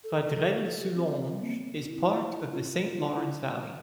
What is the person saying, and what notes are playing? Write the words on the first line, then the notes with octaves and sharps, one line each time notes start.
Vaudreuil-Soulanges is part of the Saint Lawrence Valley.
A4
A4
G4
C4
C4
A#3
C4
C4
E4
F4
E4